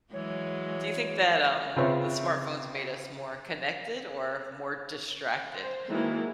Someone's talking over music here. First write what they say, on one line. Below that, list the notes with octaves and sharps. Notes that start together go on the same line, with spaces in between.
Do you think that, um, uh, smartphones made us more connected or more distracted?
E3 F#3 G#3 C#5
C#3 C4 F4 B4 E5 C#6
C5
D#3 E3 F#3 G#3 A#3 E4